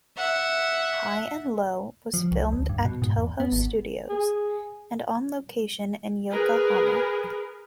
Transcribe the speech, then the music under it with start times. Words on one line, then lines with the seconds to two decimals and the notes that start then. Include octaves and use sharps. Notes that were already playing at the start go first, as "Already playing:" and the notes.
"High and Low" was filmed at Toho Studios and on location in Yokohama.
0.17 E5 F#5
2.14 F3
2.32 C2
2.52 D2
2.69 G2
2.85 B2
3.02 G#2
3.18 E2
3.40 B3
3.52 G#1
4.09 G#4
6.31 G#4 A#4 B4